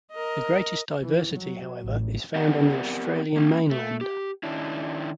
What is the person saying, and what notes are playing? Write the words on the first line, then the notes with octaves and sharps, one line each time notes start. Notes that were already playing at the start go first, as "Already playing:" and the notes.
The greatest diversity, however, is found on the Australian mainland.
A#4 D#5
E3
F#3
A1
B3 C4 G4 A#4 D5 F#5
A#3 C#4
A3
G4
D#3 C#4 D4 E4